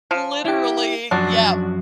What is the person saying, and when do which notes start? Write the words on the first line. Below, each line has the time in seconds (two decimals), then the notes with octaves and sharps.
Literally! Yep!
0.11 F3
0.45 E4 G4
1.11 F#2 F3 D4 F#4